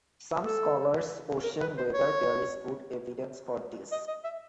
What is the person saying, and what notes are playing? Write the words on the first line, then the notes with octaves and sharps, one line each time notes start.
Some scholars question whether there is good evidence for this.
A4
A#4
B4
C5
C#5
D#5
D#5
E5